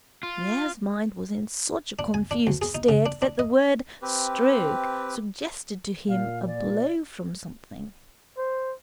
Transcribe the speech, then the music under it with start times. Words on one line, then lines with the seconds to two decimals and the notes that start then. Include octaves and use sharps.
Pierre's mind was in such a confused state that the word "stroke" suggested to him a blow from something.
0.23 F4
1.99 D4
2.14 G#5
2.31 D4
2.47 D2
2.62 G#4
2.75 D#4
2.89 C#3
3.06 D4
3.22 D4
3.39 D#5
4.02 C4 G4 B4
6.09 A#2 F5
6.47 D5
8.37 C5